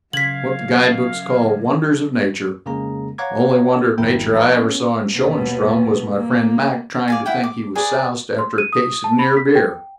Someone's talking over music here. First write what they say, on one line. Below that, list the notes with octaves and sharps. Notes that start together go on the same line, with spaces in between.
What the guide books call 'Wonders of Nature.' Only wonder of nature I ever saw in Schoenstrom was my friend Mac trying to think he was soused after a case of near-beer.
F#2 C#3 F5 G#6 B6 F#7
F2 C#3 G#3 A#3 G#4 A#5
C#5 F5 F#5 A#5 D6 G#6
G#1 F2 G#2 E4 A#4 G5
F3 D#4 F#4 B4
B3 C#4
D#2 B2
A#3
D5 F5 G#5
E4 F#5 G5
D6
G#4 B4 D5
C6
D#7
D#6
A5
B5
B6
G5